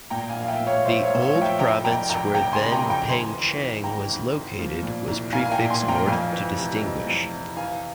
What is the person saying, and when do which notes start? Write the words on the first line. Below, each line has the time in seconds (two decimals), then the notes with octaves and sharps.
The old province where then Pengcheng was located was prefixed "North" to distinguish.
0.10 A#2 G5 A#5
0.29 F5 G#5
0.35 A#1
0.42 F5
0.48 E5 G5
0.60 A#2
0.66 C#5 F5
0.85 A#1 C5 E5
1.04 C#5 F5
1.10 A#1
1.22 C#5 F5
1.35 F3
1.42 E5 G5
1.59 F1 G5 A#5
1.84 F2 G5 A#5
2.09 F1 G5 A#5
2.35 F1 G5 A#5
2.53 G#5 C6
2.59 C#3
2.72 G5 A#5
2.84 F2
2.90 G5 A#5
3.09 G#1 G#5 C6
3.34 E3
3.59 G#1
3.84 G#1 G5 A#5
4.09 G#1
4.33 G#1
4.59 F3
4.83 A#2
5.08 C2
5.33 C2 F5 G#5
5.45 G#5
5.52 G5 A#5
5.58 A#2
5.70 G#5 C6
5.83 F3
5.88 G5 A#5
6.07 F2 F5 G#5
6.32 E3
6.58 C3
6.82 F2
7.06 F2
7.31 C3
7.57 E3 F5 G#5